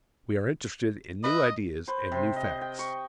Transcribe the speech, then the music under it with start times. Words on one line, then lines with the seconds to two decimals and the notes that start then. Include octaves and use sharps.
We are interested in new ideas and new facts.
1.24 B4 D#5 E5
1.88 B4 C5
2.12 C3 C5
2.36 D#5
2.61 G5
2.79 C#6